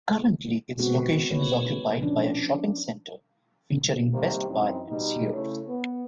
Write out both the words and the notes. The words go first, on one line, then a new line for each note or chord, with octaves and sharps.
Currently its location is occupied by a shopping center featuring Best Buy and Sears.
G#3 B3 C4 F#4 G#4
A#3 D#4 B4 C#5
F3 C#4 D4
C3 D#3 G3 A#3 C5
F#2 E3 C4 D#4
B2 G3 D#4
C#3 A3 E4 C#5
B3